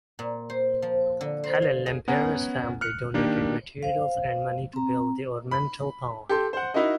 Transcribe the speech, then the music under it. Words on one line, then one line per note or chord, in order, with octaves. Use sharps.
Helen Lempriere's family donated materials and money to build the ornamental pond.
A#2
C5
F3
D3
C5
F5
G#4
B3 C#4 F#5 G#5 A#5
F6 F#6 C#7
D#3 A#3 D4 G4
C5 F5
C4 A#5
B5
G4 A4 C6
C5 F#5
D#4 E4 F#4 A#4 D#5